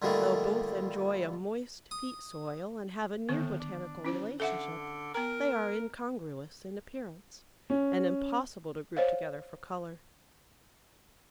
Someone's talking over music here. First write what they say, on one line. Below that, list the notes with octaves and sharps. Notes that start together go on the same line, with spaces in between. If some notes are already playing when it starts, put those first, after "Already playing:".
Though both enjoy a moist peat soil, and have a near botanical relationship, they are incongruous in appearance, and impossible to group together for colour.
G2 A#2 D3 D#3 G3 A3
D#6
A2 D3 D#3 B3
D4
C#4 E4 C5
D3 A4 E5 F#5
B3 A#4 G5 A#5
C#4
C5 C#5 D#5 F5